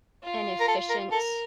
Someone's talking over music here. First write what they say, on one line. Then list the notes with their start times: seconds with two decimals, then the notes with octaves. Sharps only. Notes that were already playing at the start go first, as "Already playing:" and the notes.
an efficient,
0.24 F4
0.60 A#4
0.68 A4
0.90 A#4
1.12 A4 A#4